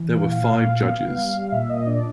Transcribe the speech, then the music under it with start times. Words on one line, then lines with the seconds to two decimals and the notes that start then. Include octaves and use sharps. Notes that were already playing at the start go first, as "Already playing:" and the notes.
There were five judges.
Already playing: E3
0.13 A#2 F5
0.22 F#5
0.31 F5
0.48 A#2
0.82 B3
1.17 G3
1.51 A#2 E5
1.69 D#5
1.86 D4 D5